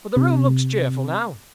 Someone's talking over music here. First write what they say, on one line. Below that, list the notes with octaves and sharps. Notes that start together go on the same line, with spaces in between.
But the room looks cheerful now.
C3